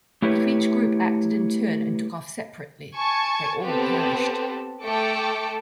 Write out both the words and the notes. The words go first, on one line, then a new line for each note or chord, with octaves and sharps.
But if each group acted in turn and took off separately, they all perished.
A3 E4 G4 B4 C#5
G#5 A5 C#6 G#6
B3 C4 G4 A4 B4
A3 A4 G5 D6 C#7